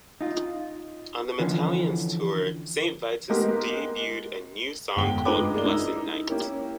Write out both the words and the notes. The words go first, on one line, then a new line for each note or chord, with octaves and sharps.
On the Metalliance Tour, Saint Vitus debuted a new song called "Blessed Night".
D#4 F4
D3 E3 F3 C#4
G#3 A#3 B3 D#4 G4 A#4
G1 G#3 F#5 G5 G7
G#3 D#4 F4 B4 D6
G#3 A#3 D5 G7
D#4 E4 E6
A#3 C#4 E4 G4